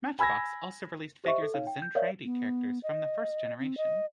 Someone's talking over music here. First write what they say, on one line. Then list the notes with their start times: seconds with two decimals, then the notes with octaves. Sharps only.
Matchbox also released figures of Zentraedi characters from the first generation.
0.19 G#5 B5 E6 G#6 A#6
1.24 G4 C5 D#5 E5 C#6
1.42 A4
1.54 D#4 C#5 F5
1.67 G5
1.82 G6
1.95 A#4 C#5 D5 E5 F5
2.25 B3
2.83 D#5
3.59 C4
3.77 D#5